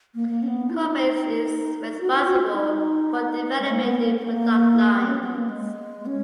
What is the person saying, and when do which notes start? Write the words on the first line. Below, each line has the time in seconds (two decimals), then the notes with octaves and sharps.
Corbett is responsible for developing new product lines.
0.15 A#3
0.28 A#3
0.43 C#4
0.47 B3
0.70 F4
0.74 D#4
2.01 F#4
2.11 F4
2.25 F#4
2.39 F#4
2.54 D#4
3.60 G#3
3.71 A#3
3.81 B3
3.99 A#3
4.17 B3
4.22 A#3
4.93 B3
5.07 C#4
5.21 B3
5.35 A#3
5.49 G#3
6.06 C#4